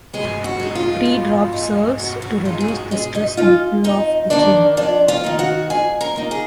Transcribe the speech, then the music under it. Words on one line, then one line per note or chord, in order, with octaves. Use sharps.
The pre-drop serves to reduce the stress and pull of the chain.
B2 G#3 G#4
F#4
G#3 D#4
F4
B2
G#3 D#4
B2 F#4
F#4
G#3 D#4 F4
G#4
F#4
B2 G#3 G#4
D#4 D#5
G#3 D#4 F4 F5
F2 D#4 D#5
D#3 A#3 D4 D#4 D5
F2 D4 D5
F4 F5
D#3 A#3 D#4
F#4 F#5
F2 G#4 G#5
A#4 A#5
D#3 A#3 D#4
G#4